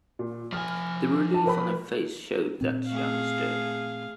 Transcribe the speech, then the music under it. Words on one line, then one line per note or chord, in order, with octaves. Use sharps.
The relief on her face showed that she understood.
A#2
F3 G#5 F6
A5
A#4 B4 B5
A#2 C4
A3 G#4 F5